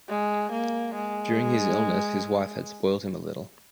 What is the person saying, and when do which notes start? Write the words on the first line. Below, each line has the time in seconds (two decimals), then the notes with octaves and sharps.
During his illness his wife had spoilt him a little.
0.09 G#3
0.53 A#3
0.95 G#3